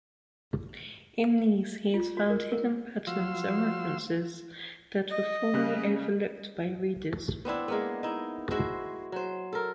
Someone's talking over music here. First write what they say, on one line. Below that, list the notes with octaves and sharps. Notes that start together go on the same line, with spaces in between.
In these, he found hidden patterns and references that were formerly overlooked by readers.
F4
F#4
A#4
A#4
F3 F#4 F5 C6 E6
D#5
C#3 G3 F#6
B3 C4 D4 E4
G#3 A#3 B3
D#4 E4
G#3 E4 F#4 C5
F#3 C5
A4 A#4